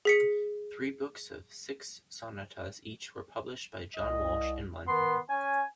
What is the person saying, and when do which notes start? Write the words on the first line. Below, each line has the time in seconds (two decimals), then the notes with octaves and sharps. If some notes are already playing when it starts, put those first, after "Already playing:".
Three books of six sonatas each were published by John Walsh in London.
0.05 G#4 B6 C#7
3.97 C2 D#5
4.88 D#3 B3 C6
5.30 C#4 G#5